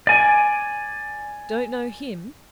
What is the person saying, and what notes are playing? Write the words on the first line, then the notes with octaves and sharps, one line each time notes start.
Don't know him.
D5 G#5